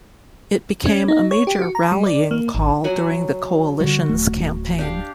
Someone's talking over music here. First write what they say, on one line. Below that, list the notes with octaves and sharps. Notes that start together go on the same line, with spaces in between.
It became a major rallying call during the coalition's campaign.
C#4
D#4
C#5
G4
F#4
A#5
G3
D5
A#3
G#1
F#3 F#5 G#5
D3 G3 F#4
D1 A3
D4 G4 F5